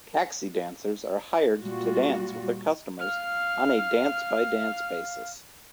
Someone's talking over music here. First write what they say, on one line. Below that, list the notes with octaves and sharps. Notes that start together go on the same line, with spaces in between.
Taxi dancers are hired to dance with their customers on a dance-by-dance basis.
A#2 G3 F4 F#4
F5 F6